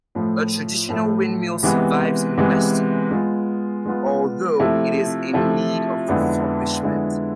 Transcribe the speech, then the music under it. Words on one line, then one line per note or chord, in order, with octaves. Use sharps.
A traditional windmill survives in Weston, although it is in need of refurbishment.
A2 F3 A3
A2 F3 A3
C3 E3 G#3 B3
C3 E3 G#3 B3
G#3 B3 F4
G#3 B3 F4
C3 F3 A3 E4
C3 F3 A3 E4
F2 D3 G#3 B3 E4
F2 D3 G#3 B3 E4